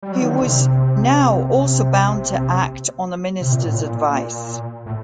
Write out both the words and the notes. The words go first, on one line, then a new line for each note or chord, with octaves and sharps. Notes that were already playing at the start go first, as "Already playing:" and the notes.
He was now also bound to act on the ministers' advice.
G3
F#3
D#3
D3
C3
C3
A#2
A2
A#2
A2